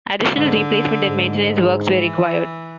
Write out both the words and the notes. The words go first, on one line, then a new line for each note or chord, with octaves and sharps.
Additional replacement and maintenance works were required.
G#2 D3
G#2
E3